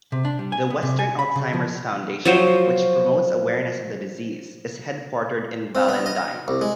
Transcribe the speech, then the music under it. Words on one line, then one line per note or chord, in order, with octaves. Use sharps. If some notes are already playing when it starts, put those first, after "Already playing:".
The Western Alzheimer's Foundation which promotes awareness of the disease is headquartered in Ballindine.
C3
D4
G3
G#5
B3
C3
G#5
B5
C#3
F3
F3 F#3 C5
C4
B3
D#5
C2
G#3